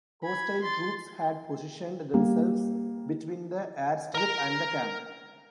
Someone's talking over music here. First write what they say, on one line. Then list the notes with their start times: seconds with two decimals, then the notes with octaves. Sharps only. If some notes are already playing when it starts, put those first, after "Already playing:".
Hostile troops had positioned themselves between the airstrip and the camp.
0.24 B5 G#6
0.63 C6 A6
2.14 G3 A#3
4.14 A#4 A#5